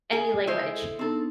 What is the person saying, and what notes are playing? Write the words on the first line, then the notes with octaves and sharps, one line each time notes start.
any language,
G#4
G#3 E4 C5 D#5
A4
B3 C4 D4 D#4 A4